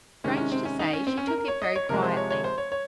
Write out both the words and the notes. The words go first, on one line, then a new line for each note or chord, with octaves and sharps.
Strange to say, she took it very quietly.
C3 D#3 G#3 C#4
C#4
C4
C#4
D#4
C#4
C4
C#4
A#4
A#4
C#5
D#5
C#5
C3 F3 G#3 A#4
C5
C#5
C#5
C5
C#5
C#5